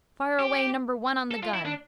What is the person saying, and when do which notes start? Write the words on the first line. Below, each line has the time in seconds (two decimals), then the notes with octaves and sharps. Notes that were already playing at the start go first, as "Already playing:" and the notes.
Fire away number one on the gun.
0.39 G4
1.31 A4
1.43 F4
1.54 E4
1.65 D4